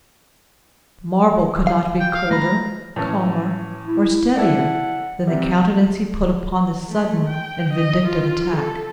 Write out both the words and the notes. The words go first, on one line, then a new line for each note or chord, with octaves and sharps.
Marble could not be colder, calmer, or steadier than the countenance he put upon this sudden and vindictive attack.
F5
G5
F5
G#3 A3 A#5 B5
A2 E3 C#4
E4
E4 A4 D5 F#5
C3 G3 E5
A3
G5
D#5
F4
A4